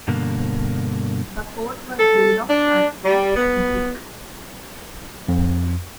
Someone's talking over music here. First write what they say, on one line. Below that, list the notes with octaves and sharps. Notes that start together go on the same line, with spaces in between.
The fort was built of sandstone and brick.
G2 B2 D3 A#3
A4
D4
G3
B3
F2